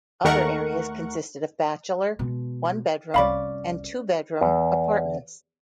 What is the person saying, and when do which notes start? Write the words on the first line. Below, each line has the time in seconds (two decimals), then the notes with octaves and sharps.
Other areas consisted of bachelor, one-bedroom, and two-bedroom apartments.
0.24 D#2 D#3 A3 A#4 F#5 C#6
2.19 B2 G#3
3.14 F1 C2 C#4 D5 F5 B5
4.41 E2